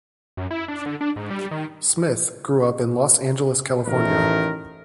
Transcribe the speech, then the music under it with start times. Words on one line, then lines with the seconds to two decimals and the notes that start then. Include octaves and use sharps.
Smith grew up in Los Angeles, California.
0.37 F#2
0.51 E4
0.68 D4
0.86 D3
1.01 D4
1.16 G#2
1.31 G3
1.51 D#3
3.87 A1 D#3 A3 A#4